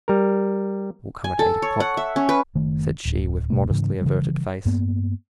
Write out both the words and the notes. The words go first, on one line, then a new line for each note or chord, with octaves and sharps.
"I will come at eight o'clock," said she, with modestly averted face.
G3 A#4
G#5
A4
C#5
F#5
E5
C#4
B4
F#1 D#3 A3
D1
D#1 B2 A3
G#2 C#3 E3
C#3 E3 G3
G2 A#3 B3